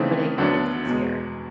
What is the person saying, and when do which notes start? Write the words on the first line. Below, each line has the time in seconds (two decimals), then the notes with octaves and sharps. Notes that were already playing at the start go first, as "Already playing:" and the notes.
but it it gets easier.
Already playing: C#3 E3 A3 C4 D#4
0.38 D2 D3 F#3 B3 D4
0.86 E2 B2 G#3